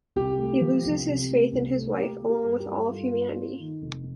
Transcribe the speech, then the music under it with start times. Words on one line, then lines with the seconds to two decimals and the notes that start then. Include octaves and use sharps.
He loses his faith in his wife, along with all of humanity.
0.16 C2 G4
0.39 A3
0.61 F3
0.85 C2
1.08 C3
1.30 A3
1.53 C2
1.76 A3
1.99 A#3 G4 A#4
2.22 A#3 A4
2.29 G4 A#4
2.44 G2
2.60 G4 A#4
2.68 G2
2.90 G2 F4 A4
3.13 G2
3.36 A#3
3.59 D#3
3.82 F1